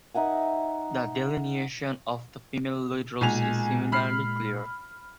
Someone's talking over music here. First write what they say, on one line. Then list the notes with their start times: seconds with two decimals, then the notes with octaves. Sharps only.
The delineation of the female lead roles is similarly clear.
0.14 D#4 E5 F#5 G#5
3.21 B1 A#2 G#3 G#5 F7
3.92 B5 F6 C7